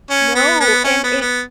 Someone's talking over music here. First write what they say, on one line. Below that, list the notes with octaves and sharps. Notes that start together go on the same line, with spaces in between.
No. And it
C#4
B3
B3
C#4
B3
B3